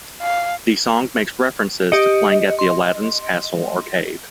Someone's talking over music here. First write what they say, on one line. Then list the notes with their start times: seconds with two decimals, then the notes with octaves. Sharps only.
The song makes references to playing at the Aladdin's Castle arcade.
0.22 F5
1.92 G4 D#5 C#7
2.59 C6